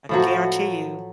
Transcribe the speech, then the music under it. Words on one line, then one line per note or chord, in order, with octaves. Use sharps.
I can guarantee you,
A2 F3 F#3